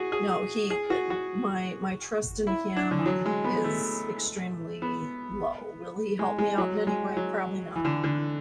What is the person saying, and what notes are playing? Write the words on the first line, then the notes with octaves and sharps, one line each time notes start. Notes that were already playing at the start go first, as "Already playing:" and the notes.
no, he, eh, my my trust in him is extremely low. Will he help me out in any way? Probably not,
Already playing: F#4 G#4
G#4
G#4
F#4
F#4
E4
D4
D3
E3
F#3
G#3
B3
A3
B3
G#3
G#3
F#3
G#3
F#3
E3
D3
D3